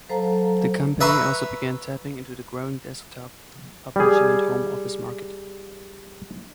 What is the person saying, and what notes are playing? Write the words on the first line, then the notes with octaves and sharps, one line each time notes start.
The company also began tapping into the growing desktop publishing and home office market.
F#3 A4 C5 F5 A5 A#5
B4 E5 A#5 C6 C#6
G3 G#4